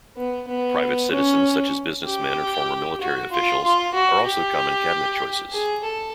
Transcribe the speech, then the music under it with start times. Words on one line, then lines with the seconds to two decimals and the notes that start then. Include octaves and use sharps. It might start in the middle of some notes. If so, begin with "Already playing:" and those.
Private citizens such as businessmen or former military officials are also common Cabinet choices.
0.17 B3
0.48 B3
1.12 C#4
2.06 G4
3.01 F#4
3.32 F4
3.63 F4
3.94 F#4
4.26 G4
5.52 G#4
5.83 A4